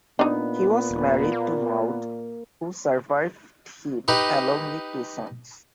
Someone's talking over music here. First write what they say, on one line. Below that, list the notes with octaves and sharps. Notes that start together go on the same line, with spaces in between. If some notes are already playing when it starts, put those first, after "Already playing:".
He was married to Maude who survived him along with two sons.
A#2 B3 D4 D#4
D#1
A#3
D#4 G4 B4 D#5